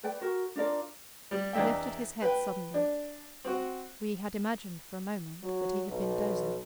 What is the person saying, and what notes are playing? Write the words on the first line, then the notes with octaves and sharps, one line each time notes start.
He lifted his head suddenly; we had imagined for a moment that he had been dozing.
B4 D5 G5
F#4 A#4
D4 F4 A#4 D5
G3
E2 D4 D#4 E5 G5
B4 G5
D4
C4 F#4
F#3
B1